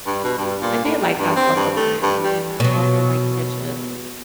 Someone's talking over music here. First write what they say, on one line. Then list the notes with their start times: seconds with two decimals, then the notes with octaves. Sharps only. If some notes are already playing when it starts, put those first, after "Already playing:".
I did like hot sauce on my mine's and then I also like ketchup.
0.06 G2
0.24 B2
0.38 G2
0.62 A#2
0.84 A2
1.01 G3
1.18 G2
1.36 C4
1.56 G2
1.77 A3
2.02 G2
2.24 G3
2.60 B2 F#3